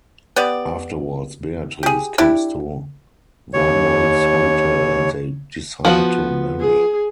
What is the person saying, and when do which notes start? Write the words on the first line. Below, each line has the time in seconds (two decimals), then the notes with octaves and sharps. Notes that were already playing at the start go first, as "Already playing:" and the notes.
Afterwards, Beatrice comes to Wormold's hotel, and they decide to marry.
0.36 B3 G4 D5
1.83 G4 G#4
2.18 D4 E4 G4
3.53 D#2 C#5
5.85 F3 B3 F#4
6.60 G#4